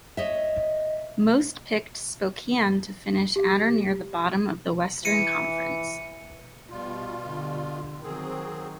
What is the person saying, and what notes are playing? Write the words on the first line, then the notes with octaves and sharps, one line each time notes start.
Most picked Spokane to finish at or near the bottom of the Western Conference.
C#5 D#5 E5
G4
E3 C#7 D#7
B2 G3 F4
D3
D#3 F#3 C4 G#4